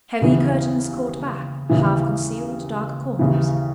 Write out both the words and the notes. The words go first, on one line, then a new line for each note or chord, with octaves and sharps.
Heavy curtains caught back, half concealed dark corners.
D#2 C#3 E3 B3
D#2 C#3 E3
D#2 C#3 E3